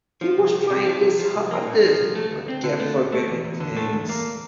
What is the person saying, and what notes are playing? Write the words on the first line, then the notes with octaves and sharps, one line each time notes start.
He was trying his hardest, but kept forgetting things.
F3
C2
C2
C3
F3
C2
F3
C2
A#3
A#2
F3
C2
A3
D2
C4
D3
A3
D2
A3
E2
E2
D3
A3
E2
A#3